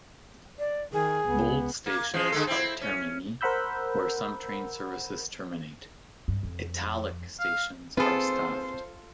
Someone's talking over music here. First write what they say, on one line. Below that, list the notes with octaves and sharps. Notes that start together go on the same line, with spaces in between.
Bold stations are termini, where some train services terminate; "italic" stations are staffed.
D5
D#3 G#4
C#2 B3
A#3
E3 F3 G#3
D3 G#3 A4
C4 E4
C#4
A#4 C5 F#5 B5 E6 G6
G2
F2
F5
C4 F4 G#4 A4 B4 C5